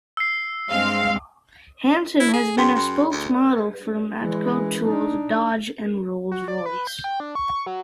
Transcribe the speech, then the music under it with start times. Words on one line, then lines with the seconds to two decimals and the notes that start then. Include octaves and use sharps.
Hansen has been a spokes-model for Matco Tools, Dodge, and Rolls-Royce.
0.17 E6 C7
0.69 G2 G#3 C4 F5
2.20 E4
2.34 G#4
2.57 F#2 G#4 G5 C6
2.75 F#2 B5 C6
3.11 D2
4.18 E3 G#3
4.86 D4 D#4
6.31 F#4
6.48 D5
6.66 B4
6.87 G6
7.04 G5
7.20 D4
7.35 C#6
7.66 F#3